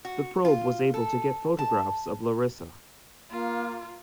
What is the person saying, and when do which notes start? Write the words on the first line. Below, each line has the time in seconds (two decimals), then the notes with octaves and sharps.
The probe was able to get photographs of Larissa.
0.05 F#4
0.45 F4
0.94 A4
1.59 A5
3.31 A#3 F4